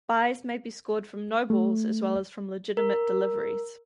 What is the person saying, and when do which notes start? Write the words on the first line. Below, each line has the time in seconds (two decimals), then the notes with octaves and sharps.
Byes may be scored from no balls as well as from legitimate deliveries.
1.50 A3
2.77 A#4